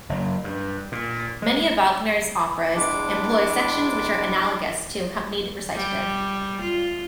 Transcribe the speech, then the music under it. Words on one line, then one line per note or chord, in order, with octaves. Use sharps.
Many of Wagner's operas employ sections which are analogous to accompanied recitative.
F#1
G2
A#2
G#3
E2 G3 G#3 D4 D6
G3
F4